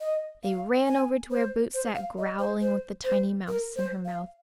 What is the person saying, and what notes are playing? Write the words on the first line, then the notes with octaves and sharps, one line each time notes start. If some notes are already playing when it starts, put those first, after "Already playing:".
They ran over to where Boots sat growling with the tiny mouse in her mouth.
D#5
F5
G#5
C5
C5
F5
D#5
C5
C5
C5
A#4
C5
F5